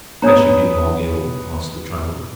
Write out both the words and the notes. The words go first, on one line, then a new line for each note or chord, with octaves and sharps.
"Has she been long ill?" asked the traveller.
B3 D4 C#5 A#5 D#6